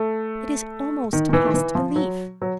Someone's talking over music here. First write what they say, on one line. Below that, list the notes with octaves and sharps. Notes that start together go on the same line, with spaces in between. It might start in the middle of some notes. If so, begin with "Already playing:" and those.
It is almost past belief.
Already playing: A3
D#3
D#3
E3
D#3
E3
F3
F#3
F#3